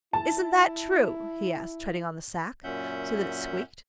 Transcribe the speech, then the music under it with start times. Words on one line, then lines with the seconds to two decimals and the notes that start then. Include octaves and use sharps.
Isn't that true?' he asked, treading on the sack so that it squeaked.
0.13 E4 A5
2.64 F#2 A#2 C#4 E5 F#5 G6